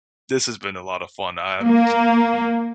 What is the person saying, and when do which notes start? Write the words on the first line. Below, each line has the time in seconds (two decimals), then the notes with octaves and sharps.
This has been a lot of fun, I I don't
1.62 A#3